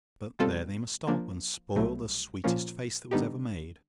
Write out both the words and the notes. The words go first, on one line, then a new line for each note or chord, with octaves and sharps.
But there they must stop, and spoil the sweetest face that was ever made.
B2 G3 C4 F4 A4
F3 A#3 D4
C2 B2 F#3 A3
A#2 F3 A#3 C#4
D3 G3 B3 D#4 G4